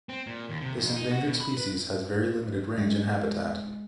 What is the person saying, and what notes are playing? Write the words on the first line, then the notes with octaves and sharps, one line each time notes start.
This endangered species has very limited range and habitat.
C4
A#2
D#2
C3
F2
D#4
F#4
B2
B5
B4
G#3